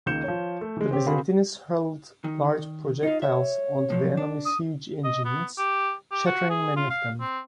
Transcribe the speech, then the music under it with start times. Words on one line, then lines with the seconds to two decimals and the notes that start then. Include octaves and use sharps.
The Byzantines hurled large projectiles onto the enemy siege engines, shattering many of them.
0.06 C#2 D#3 A#3 G6 C#7 E7
0.24 F3 C#5
0.61 A3
0.77 E3 G#3
0.91 C4 G4 C#5
1.06 C4 F#4 G#4 A#4 F5 B5
2.24 D#3
3.03 D#4 F4 D#5
3.22 C#5 E5
3.90 A2 F3 F#3
4.17 D4
4.45 D#6
5.04 D#5
5.25 B3
5.58 G4
6.11 G4
6.26 F#4
6.50 G#4
6.76 F4
6.90 F5
7.21 C4